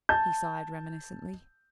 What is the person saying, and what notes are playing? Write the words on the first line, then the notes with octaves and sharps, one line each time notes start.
He sighed reminiscently.
A5 G6